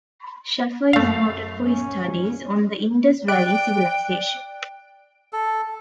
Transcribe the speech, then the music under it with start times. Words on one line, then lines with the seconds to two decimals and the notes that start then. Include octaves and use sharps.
Shaffer is noted for his studies on the Indus Valley Civilization.
0.93 F#2 A3 F5
1.65 C#4
3.28 D5 G5 F#6 D7
5.33 A4